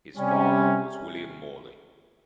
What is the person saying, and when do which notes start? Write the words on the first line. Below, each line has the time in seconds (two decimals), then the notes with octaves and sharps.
His father was William Morley.
0.16 C3 G3 C#4